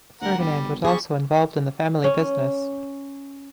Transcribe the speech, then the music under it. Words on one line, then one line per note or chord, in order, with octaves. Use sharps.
Ferdinand was also involved in the family business.
D2 A#4 F#5
G1 G3
G3 G#4 C#6
C#4